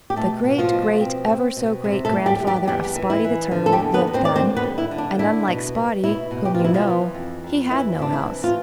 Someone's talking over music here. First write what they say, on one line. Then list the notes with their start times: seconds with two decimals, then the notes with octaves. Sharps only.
The great-great-ever-so-great grandfather of Spotty the Turtle lived then, and unlike Spotty, whom you know, he had no house.
0.10 G4
0.16 B2 A3 A4
0.44 B2
0.58 F3 F4
0.73 B2
1.01 C4
1.28 C4
1.57 B2
1.84 C3
2.05 A3 A4
2.13 E2
2.26 G3 G4
2.40 E2
2.47 G3 G4
2.67 E2 G3 G4
2.96 E3
3.10 E4
3.24 E3
3.51 D3
3.66 A4
3.72 G3 G4
3.80 E2
3.94 B3 B4
4.07 E2
4.14 C4 C5
4.25 D5
4.36 D3 C4 C5
4.56 B3 B4
4.63 G3
4.78 E4
4.91 D3
4.98 D4
5.19 D4 E4
5.48 B2
5.76 G3
6.04 B2 E4
6.31 B2
6.45 G4
6.54 B2 F4
6.64 E4
6.74 F3 F4
6.87 E3
7.14 F2
7.43 F2
7.71 E3 E4
7.99 C3 D4
8.13 E4
8.27 E3
8.44 F4